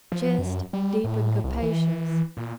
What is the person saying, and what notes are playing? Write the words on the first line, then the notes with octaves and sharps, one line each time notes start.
CHEST--Deep and capacious.
F3
F#2
G3
A2
C2
E3
A#2